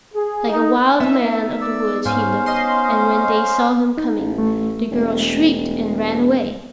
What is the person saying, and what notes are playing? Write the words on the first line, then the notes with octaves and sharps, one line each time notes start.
Like a wild man of the woods he looked, and when they saw him coming the girls shrieked and ran away.
G#4
D#4
B3 D#4 E5
D5 E6
G#2 C#4 C5 F5
D#5 C6
D#4
A1
A3
E1